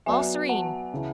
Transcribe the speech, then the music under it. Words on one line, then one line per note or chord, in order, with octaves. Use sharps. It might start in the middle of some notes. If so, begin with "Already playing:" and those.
All serene.
F#3 B3 F#4 B4 D5 E5 G#5
F#5 A5
C#3 E3